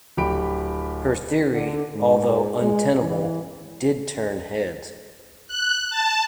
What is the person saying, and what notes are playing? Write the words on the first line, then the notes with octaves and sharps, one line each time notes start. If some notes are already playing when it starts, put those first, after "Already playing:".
Her theory, although untenable, did turn heads.
D1 G4 B5 D7
D3
G#2
G#3
E3
F#6
A5